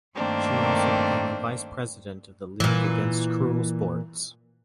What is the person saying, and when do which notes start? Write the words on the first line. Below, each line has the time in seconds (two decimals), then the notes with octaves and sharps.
She also became a vice-president of the League Against Cruel Sports.
0.16 G2 D#3 A3 A#3 C4 D4
2.60 A#2 E3